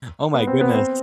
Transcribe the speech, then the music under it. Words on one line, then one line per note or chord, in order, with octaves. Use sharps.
Oh my goodness.
B3
C4
B3
C4